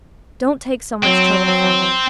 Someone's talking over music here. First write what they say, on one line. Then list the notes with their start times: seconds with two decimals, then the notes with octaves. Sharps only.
Don't take so much trouble, father.
1.03 F#3 C4